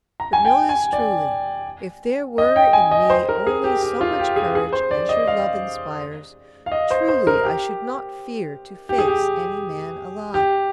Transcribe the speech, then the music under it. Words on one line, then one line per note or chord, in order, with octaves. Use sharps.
But know this truly: if there were in me only so much courage as your love inspires, truly I should not fear to face any man alive.
A#5
G#5
G5
G#5
D5
D#5
G5
G#5
D#5
C5
A#4
G#4
G4
G4
F4
G4
G#4
G#4
C5
D5
D#5
F5
F5
D#5
C5
C5
A#4
G4
G4
G#4
G4
G4